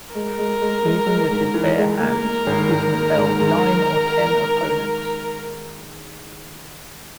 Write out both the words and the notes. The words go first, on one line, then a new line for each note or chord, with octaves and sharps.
Even with his bare hands, he can fell nine or ten opponents.
G#3 A#4
G#3
G#3
G#3
G#3
G#2
E3
G#3
A#3 A#4
A#3
G#1
G#1
A#3
G#2
G#2